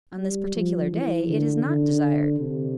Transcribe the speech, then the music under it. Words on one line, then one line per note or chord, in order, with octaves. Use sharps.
On this particular day it is not desired.
G3
F3
E3
D3
D3
C3